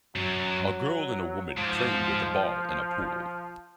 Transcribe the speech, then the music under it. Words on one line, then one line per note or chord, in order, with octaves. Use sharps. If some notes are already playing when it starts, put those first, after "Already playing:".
A girl and a woman playing with a ball in a pool.
F#2 F#3
G#2 F3